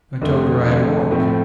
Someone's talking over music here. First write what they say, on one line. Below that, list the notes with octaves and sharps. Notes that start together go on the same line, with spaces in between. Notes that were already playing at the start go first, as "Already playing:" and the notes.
I told her I had walked.
F2 D3 A3
F2 D3 A3
A2 F3 A3 C4